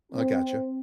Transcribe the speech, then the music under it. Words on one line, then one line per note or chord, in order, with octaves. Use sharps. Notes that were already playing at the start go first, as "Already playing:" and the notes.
I gotcha.
C4